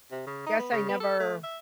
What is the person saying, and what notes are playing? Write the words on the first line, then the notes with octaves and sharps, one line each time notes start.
guess I never
C3
C#3
D#4
B3
C#3
B3
A4
A3
E5